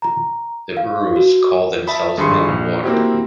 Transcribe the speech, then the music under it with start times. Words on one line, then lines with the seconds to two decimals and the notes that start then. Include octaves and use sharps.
The Urus called themselves "men of water".
0.02 A#5
0.77 F5
1.16 F#4
1.87 E5 A5 B5 D#6
2.17 G#1 G2 G#4 C6 C#7
2.48 A#1
2.83 A#3 C4 E4 F#4 G4